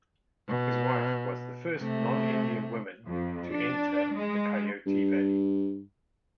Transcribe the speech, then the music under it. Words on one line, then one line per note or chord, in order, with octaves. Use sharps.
His wife was the first non-Indian woman to enter the Coyote Valley.
B2
C3 A3
F2
D4
G#3
G2